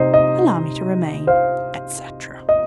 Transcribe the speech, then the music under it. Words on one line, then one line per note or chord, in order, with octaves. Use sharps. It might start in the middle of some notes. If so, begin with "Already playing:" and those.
Allow me to remain, etc.
Already playing: C3 D#4 C5 D#5
D#5
C5 F5
D#5